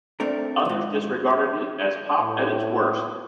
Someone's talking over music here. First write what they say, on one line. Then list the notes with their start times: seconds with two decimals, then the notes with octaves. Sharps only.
Others disregarded it as "pop at its worst".
0.20 A3 C4 D4 A#4
0.65 D#2 G#2
2.19 A2